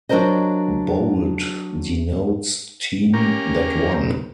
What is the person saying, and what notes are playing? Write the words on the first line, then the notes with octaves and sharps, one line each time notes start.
Bold denotes team that won.
F#3 D4 F4 A#4 C5 D#5
A#3 C#4 G4 A#4